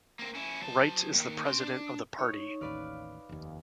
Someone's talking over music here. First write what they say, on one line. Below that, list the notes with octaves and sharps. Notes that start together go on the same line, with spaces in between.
Wright is the president of the party.
A#3 C4
C#4 E4
F#3 A5
D#2 D#3
C#4 C6
D4
D#4 C#5
A1 D#2 B4 D5 F5
F1 D#2